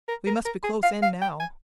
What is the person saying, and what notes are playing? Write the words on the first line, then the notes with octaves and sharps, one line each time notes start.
We must be close in now!
A#4
A#4
A#4
G#4
F5
F5
G5
G#5